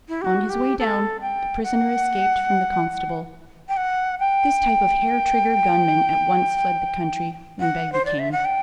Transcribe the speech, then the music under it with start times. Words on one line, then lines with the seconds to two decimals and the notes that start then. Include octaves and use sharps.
On his way down the prisoner escaped from the constable. This type of hair-trigger gunmen at once fled the country when Begbie came.
0.09 E4
0.21 G4
0.25 F#4
0.49 G4
0.79 A4
1.21 G5
1.63 F#5
3.68 G5
3.77 F#5
4.20 G5
7.60 F#5
7.92 C5
8.05 D5
8.19 E5
8.32 F#5
8.45 G5